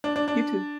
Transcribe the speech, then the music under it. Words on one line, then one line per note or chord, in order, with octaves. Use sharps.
You too.
D4
D4
D4